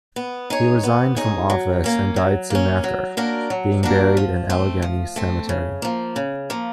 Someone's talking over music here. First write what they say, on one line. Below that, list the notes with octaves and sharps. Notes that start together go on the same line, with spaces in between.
He resigned from office and died soon after, being buried in Allegheny Cemetery.
B3
D#4 G#4 C#5
B3
D#4 G#4 C#5
F#3
A#3 C#4
F#3
A#3 C#4
F#3
A#3 D4 F#4 A#4
F#3
A#3 D4 F#4 A#4
F3
A3 C4
F3
A3 C4
C#3
F3 A#3
C#3
F3 A#3